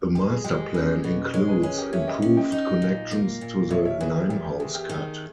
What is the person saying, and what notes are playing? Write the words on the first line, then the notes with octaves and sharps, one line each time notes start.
The masterplan includes improved connections to the Limehouse Cut.
G#3 G4
G#4
G#3 G4
G#4
C#4 G#4 B4
B2
G#3 A#4 C#5
G#4 B4
C#4 G#4 B4
G4 A#4
C#4 C#5 E5
D#5 G5
C#4
D#5 G5
D#4
A#2
A#3
A#2
B2 C#5 E5
C#5 E5
E2 G#4 B4
G4 A#4
E2 G4
G4
E2 G#4
G4
D#3 G#4